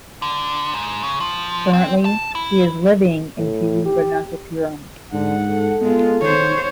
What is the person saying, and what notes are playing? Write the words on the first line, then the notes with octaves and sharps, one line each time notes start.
Currently he is living in Thiruvananthapuram.
D3
G#2
C#3
F3
C4
A5
E4
A2
G4
G#2 D3 F#5
A4
G#3 B3 F4
D#3 C5 C#5